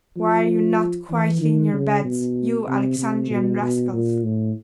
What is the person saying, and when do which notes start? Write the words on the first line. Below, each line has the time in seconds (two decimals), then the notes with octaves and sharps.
Why are you not quietly in your beds, you Alexandrian rascals?'
0.17 F3
1.10 E3
1.41 D#3
1.73 C#3
2.05 B2
2.68 C3
2.99 C3
3.30 B2
3.61 B2
3.93 A#2
4.24 A2